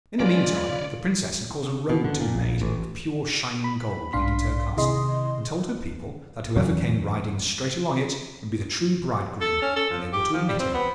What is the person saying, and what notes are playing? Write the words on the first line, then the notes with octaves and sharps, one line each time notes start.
In the meantime, the Princess had caused a road to be made of pure shining gold leading to her castle, and told her people that whoever came riding straight along it would be the true bridegroom, and they were to admit him.
F#3 G#3 C#4 D4 F4 B4 D5 D#5
B2
D3
A#2
A#1
A1
B5
B1 G#2 D4 F5 C6 B6
C3 D#3 E4 G#4 D#5 C6
F#1 E2 C#3 F#3
A4
C#4
A4
F3
G4
F3
G3
C4
B3